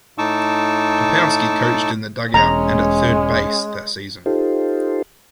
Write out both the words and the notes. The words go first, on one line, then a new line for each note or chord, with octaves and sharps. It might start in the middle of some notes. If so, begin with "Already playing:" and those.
Popowski coached in the dugout and at third base that season.
A2 D#4 A5 C#6 D6 E6
E1 G#3 C#4 A#5
D#4 F4 G4 A4 C5